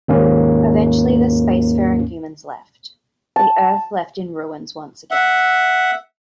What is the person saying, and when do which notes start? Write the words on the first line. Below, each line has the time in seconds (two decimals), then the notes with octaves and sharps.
Eventually the spacefaring humans left, the Earth left in ruins once again.
0.08 D#2 G#2 A#3 C#4
3.36 A5
5.11 E5 F#5